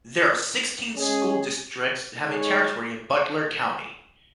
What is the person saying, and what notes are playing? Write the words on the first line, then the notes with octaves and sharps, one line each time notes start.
There are sixteen school districts having territory in Butler County.
G#3 C#4 G#4
G#3 D#4 G#4 C#5